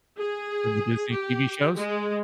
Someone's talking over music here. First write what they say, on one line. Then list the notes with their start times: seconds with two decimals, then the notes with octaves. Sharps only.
From the Disney TV shows?
0.17 G#4
1.12 G4
1.77 G#3